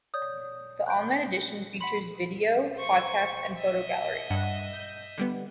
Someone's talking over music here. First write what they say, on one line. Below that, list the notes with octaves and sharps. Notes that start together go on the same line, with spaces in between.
The online edition features video, podcasts and photo galleries.
C#5 D5 D#6 G6
F#6 G6 D7
F#5 B5 C6 C#7 F#7
C5 C#6
D#5 E5
G2 F#5
G6
D3 G3 B3